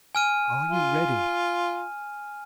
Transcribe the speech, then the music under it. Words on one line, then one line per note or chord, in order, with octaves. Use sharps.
Are you ready?
G#5 F6 D#7
F4